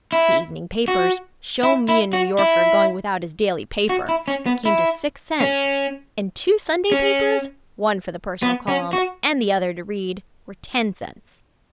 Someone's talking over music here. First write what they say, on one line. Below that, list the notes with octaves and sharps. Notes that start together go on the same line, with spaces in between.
The evening papers--show me a New Yorker going without his daily paper!--came to six cents; and two Sunday papers--one for the personal column and the other to read--were ten cents.
E4
F#4
E4
E4
F#4
E4
F#4
E4
C#4
B3
E4
C#4
C#4
B3
C#4
F#4